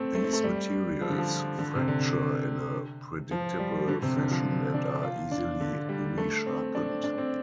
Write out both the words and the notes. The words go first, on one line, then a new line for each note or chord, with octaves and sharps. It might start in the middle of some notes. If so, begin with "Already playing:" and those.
These materials fracture in a predictable fashion, and are easily resharpened.
Already playing: A3 C4
A3
C4
A3
G3
F3
D3
F3
D3
C3
D3
F3
G3
D3
C3
D3
F3
D4
F4
D4
D3
G3
A3
C4
D4
C4
D4
C4